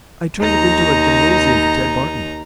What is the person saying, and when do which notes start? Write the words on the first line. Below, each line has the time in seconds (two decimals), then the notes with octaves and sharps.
I turned it into a gymnasium for Ted Barton.
0.39 D#2 D#4 A#5